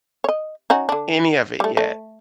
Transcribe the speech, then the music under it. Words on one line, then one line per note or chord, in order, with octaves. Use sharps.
any of it yet,
C#5 D#5
C#4 D#4 F#4
D3 D4
G3 A3
A3